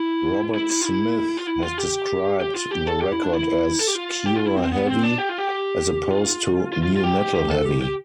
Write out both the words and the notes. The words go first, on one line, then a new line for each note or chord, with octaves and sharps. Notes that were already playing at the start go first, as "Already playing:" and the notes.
Robert Smith has described the record as "Cure heavy", as opposed to "new-metal heavy".
Already playing: E4
E4
E4
F4
E4
F4
E4
F4
G4
G4
F4
G4
A4
G4
E4
D4
E4
A4
G4
F4
G4
F4
E4
C4
B3
C4
D4
G4
F4
G4
G4
F4
F4
F4
F4
G4
G4
G4
A4
G4
G4